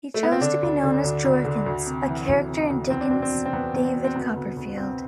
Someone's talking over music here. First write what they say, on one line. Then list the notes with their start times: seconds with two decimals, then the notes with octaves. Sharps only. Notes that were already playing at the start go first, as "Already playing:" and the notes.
He chose to be known as "Jorkins", a character in Dickens' "David Copperfield".
0.14 A3
0.23 B3
0.32 C4
0.41 D3 D4
0.63 D2
0.83 D3
1.04 D2
1.25 D2
1.45 D3
1.66 D2
1.86 C3
2.08 E3
2.28 D2
2.48 C3
2.70 D2
2.90 E2 C4
3.00 D4
3.10 B2 C4
3.22 C4
3.32 E2
3.45 C4
3.53 E2 B3
3.74 E2
3.84 C4
3.94 B2
4.04 C4
4.15 D2 B3
4.36 D2
4.56 D2
4.77 C3 C4